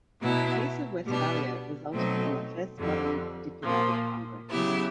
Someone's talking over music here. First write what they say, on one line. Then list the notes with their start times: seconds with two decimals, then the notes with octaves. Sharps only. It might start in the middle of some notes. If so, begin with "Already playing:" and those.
The Peace of Westphalia resulted from the first modern diplomatic congress.
0.19 B2 F#3 B3 E4
1.05 B2 G3 B3 D4
1.91 B2 F#3 A3 C4 D#4
2.77 F2 D3 G3
3.63 A#2 F3 A#3
4.49 C#3 F#3 B3 E4 G4